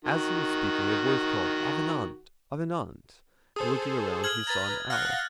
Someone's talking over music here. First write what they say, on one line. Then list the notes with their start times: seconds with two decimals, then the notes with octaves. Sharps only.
As he was speaking, a voice called, "Avenant, Avenant," and looking around he saw an owl.
0.05 D#3 F#4
3.56 G#4 A4 C5 D#6
4.24 F6 G#6 F#7
4.47 B4 A#5 G#6 A6
4.90 F5 F#5 F6 F#6 A#6